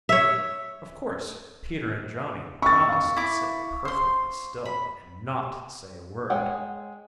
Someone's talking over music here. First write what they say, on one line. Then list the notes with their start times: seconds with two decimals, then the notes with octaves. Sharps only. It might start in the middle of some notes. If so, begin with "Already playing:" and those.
Of course Peter and Johnny promised to sit perfectly still and not say a word.
0.09 C#5 E5
2.62 E5 C#6 A6
2.89 F5 C#6
3.16 E4 D6
3.85 C5 C6
4.65 B5
6.30 G#3 C#5 F#5 G5